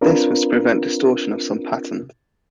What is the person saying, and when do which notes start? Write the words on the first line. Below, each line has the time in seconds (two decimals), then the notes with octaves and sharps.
This was to prevent distortion of some patterns.
0.01 C4 D4 F4 A#4 B4